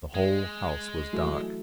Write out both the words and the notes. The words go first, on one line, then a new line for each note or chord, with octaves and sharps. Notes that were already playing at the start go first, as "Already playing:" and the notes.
The whole house was dark.
G#3
E3 F#3 A3